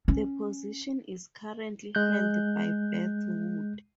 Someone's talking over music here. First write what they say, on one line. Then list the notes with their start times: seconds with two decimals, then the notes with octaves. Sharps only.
The position is currently held by Beth Wood.
0.08 C#4
1.95 G#3 F#6 G6